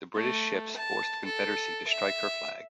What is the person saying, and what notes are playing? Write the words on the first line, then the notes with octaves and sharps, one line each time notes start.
The British ships forced "Confederacy" to strike her flag.
A3
A5
A4
E5